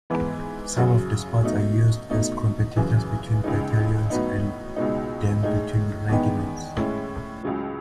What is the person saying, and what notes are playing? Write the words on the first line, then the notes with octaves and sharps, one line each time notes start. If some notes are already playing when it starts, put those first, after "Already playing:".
Some of these sports are used as competitions between battalions and then between regiments.
G#2 E3 B3
F#2 C#3 F#3
B2 A3 D#4
B2 A3 D#4
F#2 C#3 E3
C#2 C#3 G#3 D#4
A2 F#3 B3 D#4
C#2 B2 G#3 D#4
A2 G#3 D#4
E2 D#3 G#3 B3 D#4
A2 G#3 C#4 E4
C#2 C#3 F#3